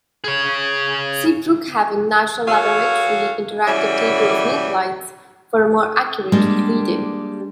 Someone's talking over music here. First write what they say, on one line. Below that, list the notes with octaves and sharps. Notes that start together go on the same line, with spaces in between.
See Brookhaven National Laboratory Interactive Table of Nuclides for a more accurate reading.
G#4 C#5
F#4 G#4 A4 C#5 F5
C#3 E3 F#3 G3 C#5 E5
G3 G#3 A#3 D4 G4